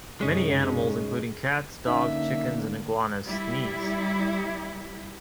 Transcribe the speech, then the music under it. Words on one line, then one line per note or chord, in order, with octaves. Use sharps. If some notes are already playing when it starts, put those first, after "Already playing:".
Many animals including cats, dogs, chickens and iguanas sneeze.
F#2 C3 G#3 C#4 D#4 G#4
D3 A#3 C#4 D#4 E5
G3 E4